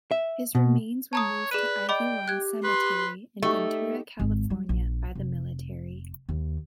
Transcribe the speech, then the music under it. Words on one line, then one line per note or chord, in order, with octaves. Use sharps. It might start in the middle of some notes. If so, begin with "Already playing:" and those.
His remains were moved to Ivy Lawn Cemetery in Ventura, California by the military.
E5
B2
C#5 A5 A#5 D#6
G#4 B4 D5 D#7
D#5 G5 B5 D6
G4 F#6 G#6
B4 C6
A3 D#4 G4
G#1
G3
A#1
F1
D#2